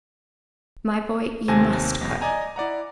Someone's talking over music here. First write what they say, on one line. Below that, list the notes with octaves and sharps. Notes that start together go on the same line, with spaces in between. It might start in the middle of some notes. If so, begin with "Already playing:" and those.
'My boy, you must go.
D#2 C3 C5 G#5 A5 A#6
B1 E2 A#6
D5 D#5 G#5 A#5
E4 D5 F#5 A#5